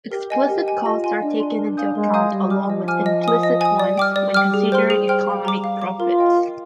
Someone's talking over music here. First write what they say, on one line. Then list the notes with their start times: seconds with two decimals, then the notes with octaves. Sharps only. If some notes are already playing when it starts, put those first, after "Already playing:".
Explicit costs are taken into account along with implicit ones when considering economic profit.
0.12 G4 A#4
0.30 D#5 G#5
0.48 G4 A#4
0.67 D#5 G#5
0.85 F4 D#5
1.04 G#5 C6
1.22 D4 D#5
1.40 G#5 C6
1.59 A#4
1.77 F5 G#5 D#6 G6
1.95 G#3 A#4
2.14 F5 G#5 D#6 G6
2.32 G3 D#5
2.50 G#5 D6 F6
2.69 F3 D#5
2.88 G#5 D6 F6
3.06 D#5
3.24 G#5 D#6
3.43 D#5
3.61 G#5 D#6
3.80 G3 D5
3.98 G5 D6 F6
4.16 G3 D5
4.34 G5 D6 F6
4.54 G#4
4.72 C5 G5 C6 F6
4.90 G3 G#4
5.08 C5 G5 C6 F6
5.26 F5
5.45 A#5 D6
5.64 F5
5.82 A#5 D6
6.00 F4 A#4
6.18 D#5 G5
6.37 A#4